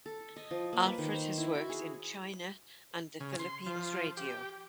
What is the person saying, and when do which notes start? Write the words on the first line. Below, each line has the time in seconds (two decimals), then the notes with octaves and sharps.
Alfred has worked in China and the Philippines Radio.
0.06 A4
0.36 D#5
0.51 F3
0.73 A#3
0.86 B4
0.98 D#3
1.11 C5
1.38 E4
1.55 F#4
1.69 G#4
3.20 C#3
3.39 C6
3.66 F3
4.17 G4